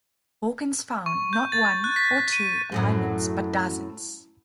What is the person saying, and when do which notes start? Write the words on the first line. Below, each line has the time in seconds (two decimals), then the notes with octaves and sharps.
Hawkins found not one or two alignments but dozens.
1.06 C#6
1.33 G6
1.52 A6
1.84 F#6
1.96 B6
2.32 D#7
2.72 F#2 A2 F#3